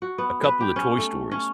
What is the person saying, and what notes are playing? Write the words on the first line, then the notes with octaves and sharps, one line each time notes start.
a couple of Toy Stories
F#4
B3
B4
G4
C#4
A3
C#4